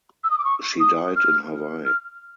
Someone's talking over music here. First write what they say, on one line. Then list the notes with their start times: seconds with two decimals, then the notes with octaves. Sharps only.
She died in Hawaii.
0.24 E6
0.30 D#6
0.38 D6
0.44 C#6
0.80 D#6
1.16 F6
1.85 F6